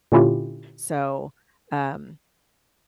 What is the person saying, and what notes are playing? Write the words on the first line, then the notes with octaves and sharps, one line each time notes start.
So, um,
A#2 D3 C#4 E4 F4 G4